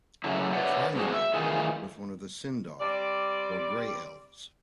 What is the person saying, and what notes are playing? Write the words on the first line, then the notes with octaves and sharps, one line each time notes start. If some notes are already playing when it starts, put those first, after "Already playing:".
Thranduil was one of the Sindar, or Grey Elves.
C#3 F#3 A3 E4
B4 C#5 D5 E5 F#5
G#3 C4 D4 F#4 G#4
E5
D#3 E3 A3 D#4 F4 G#4
G3 C4 D5